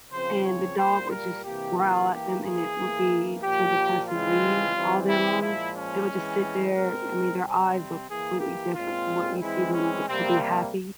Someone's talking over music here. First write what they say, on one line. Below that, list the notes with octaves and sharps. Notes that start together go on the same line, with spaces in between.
and the dog would just growl at them, and it would be till the person leaves all day long. They would just sit there I mean, their eyes look completely different from what we see them b to be happy,
C#3 F3 C4 C5
C#5
A#2 G3 A#3 C5
A#4
C3 E3 A#3 G4
F4
E3 A#3 G4
G#4
E3 A#3
A#2 F3 A#3 G4
C#3 E3 G#3 C4 F4
E3 G3 C4
E4
A#2 F3 G#3 E4
C#4
E3 G#3 C4
A#2 G#3 C4 A#4
C3 G3 C4
E3 A#3 G#4
G4
A#2 G#3 C4 F4
E3 G#3 C4 E4
C#4
C3 G3 A#3 C4